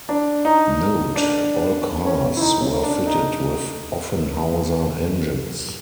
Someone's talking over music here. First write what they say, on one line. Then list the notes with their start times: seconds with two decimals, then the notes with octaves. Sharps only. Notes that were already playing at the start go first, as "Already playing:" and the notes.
Note: all cars were fitted with Offenhauser engines.
0.09 D4
0.45 D#4
1.16 D4
2.05 C#4
2.37 E4
2.41 D#4
2.59 C#4
2.83 D4
3.06 D#4